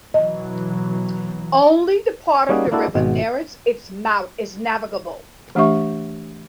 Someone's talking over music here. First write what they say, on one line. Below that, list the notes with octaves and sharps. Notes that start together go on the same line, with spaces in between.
Only the part of the river nearest its mouth is navigable.
B2 E3 F#3 D#5
G3 A#3 C#4 D#4 F#4 G#4
A#3 D4 E4 F#4 A4
G#1 B2
E3 A3 D4 G4 E5 C#6